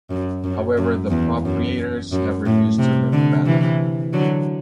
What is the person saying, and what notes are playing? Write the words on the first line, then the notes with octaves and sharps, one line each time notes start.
However, the proprietors have refused to remove the banner.
F#2
F#2
F#2
E2
F#2
F#2
A2
C3
D3
C3 E3
D3 F#3